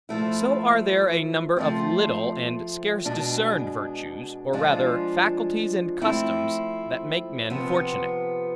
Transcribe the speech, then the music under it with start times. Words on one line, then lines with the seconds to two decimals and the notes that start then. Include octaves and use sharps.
So are there a number of little, and scarce discerned virtues, or rather faculties and customs, that make men fortunate.
0.09 F3 A3 E4
1.57 F3 A3 C4
3.05 B2 G#3 D4
4.53 F3 G#3 D4 F4
6.02 F3 A3 C4 E4
7.50 C3 F3 B3